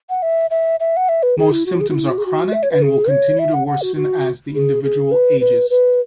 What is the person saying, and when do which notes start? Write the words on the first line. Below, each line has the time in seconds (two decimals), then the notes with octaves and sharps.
Most symptoms are chronic and will continue to worsen as the individual ages.
0.09 F#5
0.23 E5
0.50 E5
0.80 E5
0.97 F#5
1.09 E5
1.23 B4
1.38 G#4
1.52 E4
1.66 F#4
1.81 G#4
1.89 F#4
1.95 E4
2.10 F#4
2.18 G#4
2.26 F#4
2.53 E5
2.63 C#5
2.71 B4
2.82 G#4
3.10 C#5
3.39 E5
3.54 F#5
3.67 F#5
3.82 F#4
3.96 F#4
4.55 G#4
4.84 G#4
5.11 B4
5.40 B4
5.70 B4